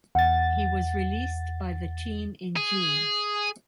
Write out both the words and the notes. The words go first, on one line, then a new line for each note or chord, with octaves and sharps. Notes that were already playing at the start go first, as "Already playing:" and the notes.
He was released by the team in June.
E2 F#5 A6
G#4